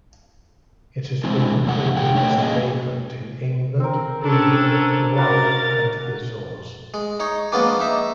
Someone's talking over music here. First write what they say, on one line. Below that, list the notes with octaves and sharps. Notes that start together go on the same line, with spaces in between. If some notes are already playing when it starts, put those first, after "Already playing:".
It has been recorded as a vagrant in England, Greenland, Hawaii, and the Azores.
D3 E3 G#3 C4
F2 A#3 C#5 F#5
D3 F#5 G5
A3 D#4 C#5 D#5 F#5 G5
A#3 C#4 G#4 D#5
C4 A#4
C#4 D4 A4 A#4
A#3 C#4 F#4 A#4 A6
G#3
D#4 C#5
F3 G#3 A#3 B3 C#4 D4
D#4 E5